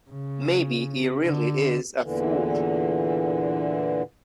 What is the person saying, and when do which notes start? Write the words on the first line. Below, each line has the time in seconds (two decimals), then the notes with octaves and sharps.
Maybe he really is a fool.
0.10 C#3
1.24 D3
2.01 E2 A#2 D3 E3